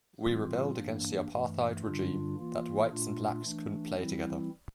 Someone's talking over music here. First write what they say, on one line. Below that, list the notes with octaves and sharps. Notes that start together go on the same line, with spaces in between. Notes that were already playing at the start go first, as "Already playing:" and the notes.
We rebelled against the apartheid regime that whites and blacks couldn't play together.
A2 E3 G3 C4 F4
G2 E3 A#3 D4
G2 E3 A3
G2 D3 G3 D4 F4
E3 A#3 F4
A#2 A3 D4 F4
E3 A3 D4
E3 G3 C4 E4